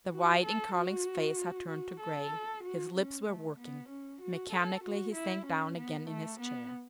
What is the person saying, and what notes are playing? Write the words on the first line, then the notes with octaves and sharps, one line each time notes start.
The white in Carling's face had turned to gray, his lips were working--mechanically he sank down again in his chair.
F#4
A4
F#4
F#4
A4
F#4
C#4
A3
B3
C#4
F#4
A4
F#4
E4
C#4
B3
A3
B3